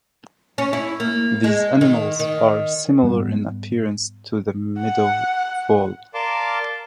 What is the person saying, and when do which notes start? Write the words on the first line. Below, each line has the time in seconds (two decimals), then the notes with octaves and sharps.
These animals are similar in appearance to the meadow vole.
0.58 C#4
0.73 E4
1.00 A#3
1.44 G#3
1.81 D#3
2.20 D#3
3.03 G#2 G3 G#3 B3
4.80 F#5
6.14 A#4 D5 F5 A5 C6 D6